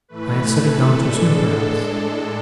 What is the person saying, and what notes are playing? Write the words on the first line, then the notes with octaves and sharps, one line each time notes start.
I have set it down too soon, perhaps.
A2 E3 A3 B4
A4
A2 G#3 D4 A4